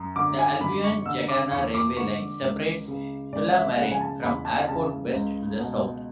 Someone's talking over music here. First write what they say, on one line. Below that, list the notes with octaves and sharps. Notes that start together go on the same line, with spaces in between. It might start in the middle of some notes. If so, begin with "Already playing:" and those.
The Albion-Jacana railway line separates Tullamarine from Airport West to the south.
Already playing: F#2
D3 D6
G#5
F#2 B5
C#6
D3 E6
D6
E2 C#6
D6
D3 C#6
C#2
C#3
C#2 D5
E5
C#3 F#5
G#5
A5
E2 B5
A5
C#3 A5
C#2
B2